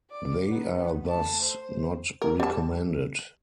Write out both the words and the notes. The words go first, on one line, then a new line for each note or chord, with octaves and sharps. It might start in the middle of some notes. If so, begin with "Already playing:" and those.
They are thus not recommended.
D5 D6
B3 D#4
A3 A5
C5
A#4
G3 A5